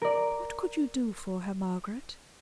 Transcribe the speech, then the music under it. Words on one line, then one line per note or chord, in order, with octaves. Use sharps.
What could you do for her, Margaret?
A#4 D5